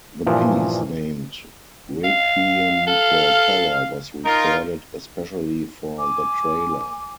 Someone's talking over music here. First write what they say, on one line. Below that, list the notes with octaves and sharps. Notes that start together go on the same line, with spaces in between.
The piece, named "Requiem for a Tower", was recorded especially for the trailer.
G2 A#2 E3 F3
F5
A4 F5
D#4 F4 A#4
G#5 D6